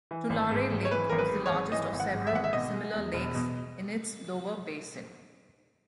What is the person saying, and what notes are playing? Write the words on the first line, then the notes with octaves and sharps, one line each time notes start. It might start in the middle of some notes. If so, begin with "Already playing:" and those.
Tulare Lake was the largest of several similar lakes in its lower basin.
E3
G#1
G#2
G#1
C#5
E3 B4
G#1 A#4
B4
G#2
C#5
G#1
E3 D#5
G#1
F#5
G#2
E5
G#1 F#5
E5
B2 D#5
G#3
E2
E1
B2